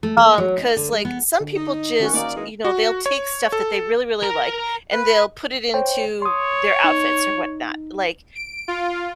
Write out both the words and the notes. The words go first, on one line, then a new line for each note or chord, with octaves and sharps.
Um, 'cause, like, some people just, you know, they'll take stuff that they really, really like, and they'll put it into their outfits or whatnot. Like,
A3
A#3
F#3
D#4
D3
G#3
B3
D3
D#4
D#3 C#4 F#4
A#3 D#4 D5
E3 G#3
F#4
C#5
A4
A#4 A#5
B4
C5 C#5 G5
C#5 C6 D#6
D#4
D7
F4